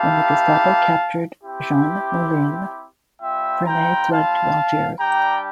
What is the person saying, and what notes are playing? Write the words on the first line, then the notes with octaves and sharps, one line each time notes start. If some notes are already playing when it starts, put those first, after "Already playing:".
When the Gestapo captured Jean Moulin, Frenay fled to Algiers.
Already playing: A#3 E4 G4 F5 A5
C4 E4 G4
G3 C4 F4 E5 G5
G5 A#5
F5 A5
G3 D4 G4 G5 A#5